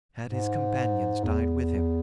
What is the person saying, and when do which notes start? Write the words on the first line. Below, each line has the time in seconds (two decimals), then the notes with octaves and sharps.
Had his companions died with him?
0.23 G#2
1.24 E2